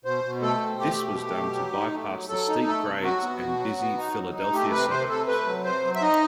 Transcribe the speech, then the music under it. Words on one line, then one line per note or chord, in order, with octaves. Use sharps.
This was done to bypass the steep grades and busy Philadelphia suburbs.
B2 C5
B2
A3 A4
C4
A3 G4
B2
A3
B2
F#3
D#4
A3
F#3
F#3 A4
D#4
A3 A4
C3
F#3 F#4
B3
B2
F#3
B3
D#4
F#3
D#4
A3 G4
C3 B4
C3 C5
C3 A4
A3 B4
F#3
C3 C5
F#3
E5
D#4 D#5